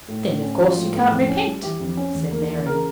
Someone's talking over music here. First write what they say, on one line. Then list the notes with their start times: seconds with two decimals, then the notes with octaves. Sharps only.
"Then, of course, you can't repent," said Mary.
0.08 A2
0.25 A2
0.43 C#4
0.60 F3 F4
0.77 A2
0.95 A2
1.12 F2
1.28 C#4
1.46 G3
1.63 E3 G4
1.80 F2
1.97 C#4
2.15 E2
2.32 A#3
2.49 E3
2.66 C#3 A#4